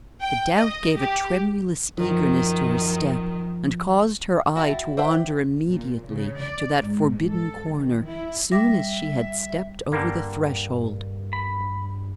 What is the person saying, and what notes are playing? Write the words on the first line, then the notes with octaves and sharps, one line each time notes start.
The doubt gave a tremulous eagerness to her step and caused her eye to wander immediately to that forbidden corner soon as she had stepped over the threshold.
G5
D#5
G4
F#2 D#3 F3
E4 F#4 E5 G5 A5
C5 D5 E5 F#5 G5
A#2
C#3
D5
G#2
A4
D#3
E4
G3 E5 D6 A#6
G2 D3 G3 A#3
B5